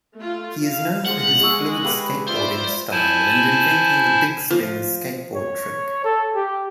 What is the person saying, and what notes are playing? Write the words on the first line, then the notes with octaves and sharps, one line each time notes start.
He is known for his fluid skateboarding style and inventing the "Bigspin" skateboard trick.
A3 F4
F5
F3 G#3 F#5
G#3 G#4 D#5 C#6 E6
G4 B4 G5
F4 C5 D5 E5
E4 C5 G#5 A5
F3
C#5
A4
G4